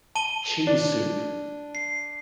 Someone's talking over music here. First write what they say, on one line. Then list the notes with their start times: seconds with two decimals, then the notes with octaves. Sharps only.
cheese soup."
0.15 A5 D#7 G7
0.67 D4
1.75 C7